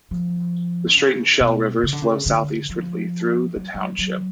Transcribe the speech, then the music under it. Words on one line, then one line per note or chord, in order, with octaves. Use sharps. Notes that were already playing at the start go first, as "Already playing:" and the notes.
The Straight and Shell Rivers flow southeastwardly through the township.
F3
D3
C#3
B2
C#3
D3
C#3
D3
F3
F#3
F#3
F#3